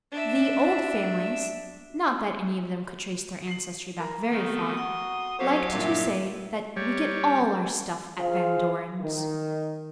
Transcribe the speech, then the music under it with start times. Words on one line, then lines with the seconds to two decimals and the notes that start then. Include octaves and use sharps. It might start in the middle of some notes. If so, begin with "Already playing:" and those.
The "old" families--not that any of them could trace their ancestry back very far--liked to say that "we get all our stuff at Van Doren's."
0.12 D4 E5
3.47 C7 F#7
4.00 A#4
4.30 D#3 A3 B3 C4 F#4 A4 D#6
4.77 F#5 C6
5.39 F#3 A3 F#4 G4 A4 C5 C#5 F5
5.72 G2 A#2 D#3 E5
6.76 G3 C#5
8.19 F4 G#4 C5 F5
9.01 D#3